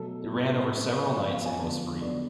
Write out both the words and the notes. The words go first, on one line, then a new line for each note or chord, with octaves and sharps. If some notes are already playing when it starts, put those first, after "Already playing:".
It ran over several nights and was free.
Already playing: B2 F#3 A3 A4
A2 G#3 B3
A2 F#3 C#4 B4
A4
C#5
F3 B3 D5
F5
G#5
D3 F3 G#3 B3 A5
D3 F#3 B3 D5